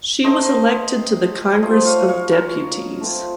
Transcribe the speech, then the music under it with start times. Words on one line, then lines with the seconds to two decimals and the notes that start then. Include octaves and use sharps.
She was elected to the Congress of Deputies.
0.24 A3 C4 D#4 C5 D#5
1.62 A3 C4 F4 C5 D#5
1.85 C#5 F5
2.08 C#5 F5
2.32 A#4 C#5
3.01 A3 C4 F4